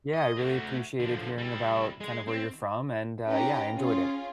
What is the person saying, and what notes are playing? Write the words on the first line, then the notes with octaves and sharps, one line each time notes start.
Yeah, I really appreciated hearing about kind of where you're from, and, uh, yeah, I enjoyed it.
D#5
A3 F#4
D3 F3
G3 E4
G#3 G#4
C4
C#4 D#4 G4 B4 A#5
C#4 F4 G#4